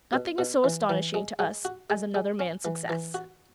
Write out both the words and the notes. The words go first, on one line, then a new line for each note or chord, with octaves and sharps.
Nothing is so astonishing to us as another man's success.
B2
B2
E3
E3
G#3
G#3
F#4
G#3
G#3
C#4
E3
E3
F#4